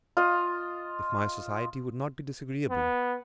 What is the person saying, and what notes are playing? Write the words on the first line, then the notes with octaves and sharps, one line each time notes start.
"If my society would not be disagreeable."
F4 D#5
B3